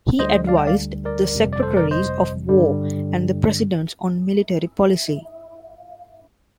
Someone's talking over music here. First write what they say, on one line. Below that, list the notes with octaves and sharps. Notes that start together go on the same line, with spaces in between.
He advised the secretaries of war and the presidents on military policy.
D2 D3 G3 C5 D#5
D5 F5
D#5 G5
D5 F5
A#4 D5
G1 F2 C3 G3
D5
A4 C5
A#4 D5
C5 D#5
G2 D3 G3